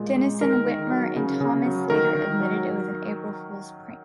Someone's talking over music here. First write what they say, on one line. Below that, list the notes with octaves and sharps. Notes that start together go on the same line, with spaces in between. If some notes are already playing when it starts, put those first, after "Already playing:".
Denison Witmer and Thomas later admitted it was an April Fools' prank.
Already playing: A#2 G#3
G#3
D#3 A#4
D#3
F#3
C#3
C#3
F#3
D#3 A#4
D#3
F#3